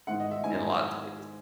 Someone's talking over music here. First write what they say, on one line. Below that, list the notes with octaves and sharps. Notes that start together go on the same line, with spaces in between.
in lot states.
G#2 D#3 G#3 B3 E4 F#5
D#5
E5
G#2 D#3 G#3 B3 E4 G#5